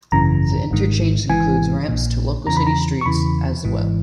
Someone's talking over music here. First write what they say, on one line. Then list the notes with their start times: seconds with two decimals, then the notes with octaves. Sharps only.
The interchanges includes ramps to local city streets as well.
0.12 G#1 F#2 C#3 E3 A#5
0.71 G#1 G#2 D#3
1.29 G#1 G#2 E3 G#5
1.88 A#1 A#2
2.47 E2 C#3 E3 A#5
2.57 B5
2.67 A#5
3.01 C#6
3.06 E2 C#3 E3 B5
3.65 G#1 G#2 E3